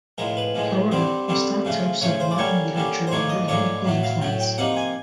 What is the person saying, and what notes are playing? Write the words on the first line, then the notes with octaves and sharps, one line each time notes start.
However, the stock types of Latin literature were an equal influence.
A2 F3 G#3 A#4
B4
A2 F3 G#3
G2 D3 G3 C4 C5
G2 D3 G3 C4
C#3 F3 A3
C#3 F3 A3 C#5
C5
D5
G2 D3 G3 A#3 C#4 C#5
G2 D3 G3 A#3 C#4
C5
G#2 F3 A3 D4 C#5
D#5
G#2 F3 A3 D4 C#5
A2 F#3 A3
F5
A2 F#3 A3 G5
G5
C3 F3 A#3 D#4 F#5
G#5